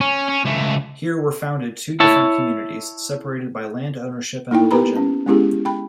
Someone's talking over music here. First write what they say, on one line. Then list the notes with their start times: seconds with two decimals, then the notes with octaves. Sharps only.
Here were founded two different communities, separated by land ownership and religion.
0.01 C#4
0.29 C#4
0.45 C#2 A3
2.00 E4 C#5 A5
4.51 A#3 D#4 E4 G5
4.71 B3 G4 A#4 B4 A#5 B5
4.97 C#4
5.26 G#3 B3 C#4 E4 G4 G#4
5.65 G5 B5